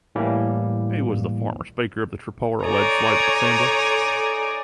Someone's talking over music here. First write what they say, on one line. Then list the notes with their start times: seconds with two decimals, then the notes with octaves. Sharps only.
He was the former Speaker of Tripura Legislative Assembly.
0.15 A2 E3 G3 A#3
2.62 D#4 A4 C#5 D5 G#5 A#5